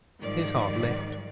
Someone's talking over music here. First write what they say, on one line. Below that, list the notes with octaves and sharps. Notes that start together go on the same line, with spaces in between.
His heart leapt.
G#2 D#3 F3 G3 D5